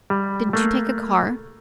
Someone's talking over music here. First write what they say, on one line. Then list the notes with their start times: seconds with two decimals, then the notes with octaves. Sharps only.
"Didn't you take a car?"
0.10 G3
0.53 A3 A#3